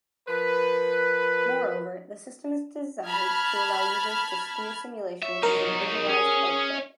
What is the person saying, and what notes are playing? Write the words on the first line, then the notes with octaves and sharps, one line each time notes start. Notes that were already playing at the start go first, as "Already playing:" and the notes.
Moreover, the system is designed to allow users to steer simulations using visualised output.
F3 A#4 B4
A5 B5 F6 G#6
C#5 E5
F#3 D#4 A#4
C#4 G#4